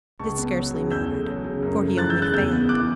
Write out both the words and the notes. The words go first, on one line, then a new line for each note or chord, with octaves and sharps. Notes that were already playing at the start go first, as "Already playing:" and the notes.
But it scarcely mattered, for he only failed.
C#2 A5 C#6
B3
F#3
C#3
E2 E6 G6
A3
F#3
C#3
F#2
A3
E3 F#6 A6
E6 G6
C#3
F#6 A6
E2 E6 G6
B3
E3 D6 F#6